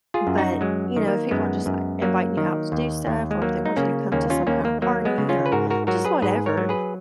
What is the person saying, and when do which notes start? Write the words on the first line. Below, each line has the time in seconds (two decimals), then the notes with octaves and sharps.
But, you know, if people are just like, inviting you out to do stuff or if they want you to come to some kind of party or just whatever,
0.14 F4 G#4
0.27 F#2
0.38 D#4 F#4
0.61 F#3 G#3
0.96 D#3
1.08 A#3
1.31 F#2 G#3 B3
1.66 F#2
2.02 F#3 A#3
2.37 D#3
2.72 D#2
3.07 D#2
3.31 G#3
3.42 F#3 A#3
3.66 D#4
3.77 C#3 A#3 C#4
4.12 D#2 A#3 C#4
4.30 C#4 F4
4.47 D#2 A#3 C#4
4.65 A#3
4.82 F#3 A#3
5.05 G#3 B3
5.18 C#3
5.29 C#4 F4
5.46 B4
5.52 G#2 F#4 A#4
5.70 F#4 A#4
5.87 F#3 F#4 A#4
6.05 G#4 B4
6.22 G#2 G#4 B4
6.46 A#4 C#5
6.57 F#3
6.69 G#4 B4